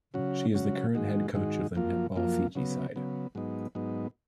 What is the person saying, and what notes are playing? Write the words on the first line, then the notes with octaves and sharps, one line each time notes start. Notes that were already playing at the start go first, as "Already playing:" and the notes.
She is the current head coach of the Netball Fiji side.
C#3 F#3 C#4 F#4
C#3 F#3 C#4 F#4
G#2 D#3 G#3 D#4 F#4
G#2 D#3 G#3 D#4 F#4
F#2 F3 A#3 F4
F#2 F3 A#3 F4
C#3 F#3 B3
C#3 F#3 B3
G#2 F#3 B3 D#4
G#2 F#3 B3 D#4